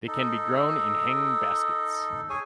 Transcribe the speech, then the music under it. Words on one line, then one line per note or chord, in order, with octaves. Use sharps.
They can be grown in hanging baskets.
D#4 A4
G#4 C#5 G#5